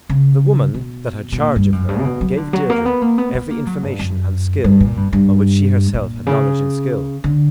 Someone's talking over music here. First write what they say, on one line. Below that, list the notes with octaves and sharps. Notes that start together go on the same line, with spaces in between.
The woman that had charge of her gave Deirdre every information and skill of which she herself had knowledge and skill.
C#3
B2
B2
A#2
G2
F#2
G2
C#3
B2
F#3
D3
F#3
A#3
B3
A#3
B3
B3
A#3
F#3
G2
F#2
G2
A#2
G2
G2
A#2
C#3
D3